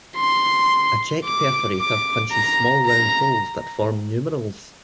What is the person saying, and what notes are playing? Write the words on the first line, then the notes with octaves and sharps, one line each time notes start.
A check perforator punches small round holes that form numerals.
C6
D6
D6
A#5
A#5